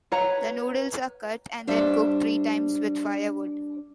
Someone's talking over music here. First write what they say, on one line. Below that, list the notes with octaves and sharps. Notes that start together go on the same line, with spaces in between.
The noodles are cut and then cooked three times with firewood.
B4 C#5 F#5 A#5
G3 D4 C5 E5